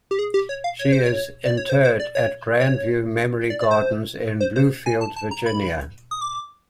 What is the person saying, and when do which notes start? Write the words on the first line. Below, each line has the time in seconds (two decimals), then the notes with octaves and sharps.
She is interred at Grandview Memory Gardens in Bluefield, Virginia.
0.11 G4
0.19 G#4
0.34 G4
0.49 C#5
0.64 F5
0.79 C#5
0.92 C5
1.05 C#5
1.45 D5
1.57 C#5
1.69 C5
1.84 C5
2.00 D5
2.15 C#5
2.60 C#5
3.50 D5
3.61 D5
3.71 C5
4.41 C5
4.56 C5
4.86 G#5
5.01 A5
5.16 A5
5.31 A#5
5.46 B5
6.11 D#6
6.21 D6